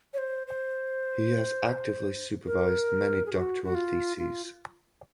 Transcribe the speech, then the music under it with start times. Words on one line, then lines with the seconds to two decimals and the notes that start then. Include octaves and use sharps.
He has actively supervised many doctoral theses.
0.14 C#5
0.18 C5
0.47 C5
2.46 A#4
3.26 G#4
3.33 F#4
3.64 F#4
3.75 F4
4.18 F4